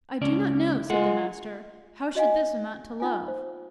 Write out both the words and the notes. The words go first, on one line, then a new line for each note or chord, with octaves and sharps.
I do not know, said the Master: how should this amount to love?
C#2 C#4 D5
G#3 F4 F#5
F#4 D#5 F5 G#5
D#4 F4 G#5
C5